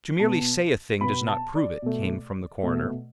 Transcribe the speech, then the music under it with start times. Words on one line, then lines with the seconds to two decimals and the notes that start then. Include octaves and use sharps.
"To merely say a thing does not prove it," came from the coroner.
0.19 B2 B3 A5
1.01 B2 B3 B5
1.28 A5
1.55 D5
1.82 B2 A3
2.63 B2 A3